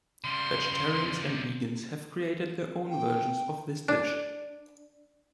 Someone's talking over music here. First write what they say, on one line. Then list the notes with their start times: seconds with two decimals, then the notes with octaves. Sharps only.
Vegetarians and vegans have created their own versions of this dish.
0.24 C#3 G3 C6
2.90 G5
3.88 D4